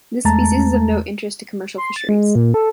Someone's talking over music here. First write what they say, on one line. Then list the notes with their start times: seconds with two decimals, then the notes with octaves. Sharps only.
This species is of no interest to commercial fisheries.
0.25 E2 G#3 A3 A5 A#5 A6
1.78 C6
1.96 A6
2.09 G#3
2.35 A#2
2.54 A4